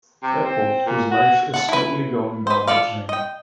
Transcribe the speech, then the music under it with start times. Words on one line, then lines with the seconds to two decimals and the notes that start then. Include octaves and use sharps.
Airport whose life is slowly going down the drain.
0.23 C3
0.45 C4
0.86 A#2
1.11 F#4
1.54 F#5 A5
1.69 E4 B4
2.47 B4 C5
2.68 F4 F#4 A4 D5 F5
3.09 D#5 G5